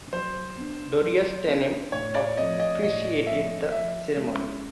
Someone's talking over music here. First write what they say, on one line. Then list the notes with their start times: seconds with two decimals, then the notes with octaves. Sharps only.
Gloria Steinem officiated the ceremony.
0.13 F#3 C5
0.57 B3 D4
1.03 F#3
1.47 B3 D4
1.92 A2 C#5
2.14 D5
2.37 F3 A3 C4 D#5
2.60 D#5
2.82 A2 D#5
3.27 F3 A3 C4 E5
3.72 F3 E5
4.16 G#3 C#4 E4